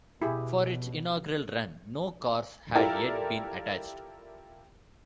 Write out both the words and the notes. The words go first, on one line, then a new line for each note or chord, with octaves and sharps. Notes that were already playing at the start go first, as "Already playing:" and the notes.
For its inaugural run, no cars had yet been attached.
B2 E4 G4 G#4
E4 F4 G4 A4 A#4 D5